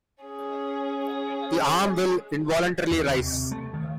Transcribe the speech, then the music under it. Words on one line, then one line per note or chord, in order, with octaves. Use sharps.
The arm will involuntarily rise.
C#4 G#4
D#2
C3
A3
D#3